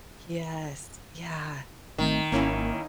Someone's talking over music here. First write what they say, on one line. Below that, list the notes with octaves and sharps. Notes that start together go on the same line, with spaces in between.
Yes, yeah.
G#1 D#3 A3 C4
G#1 A#3 C#4 E4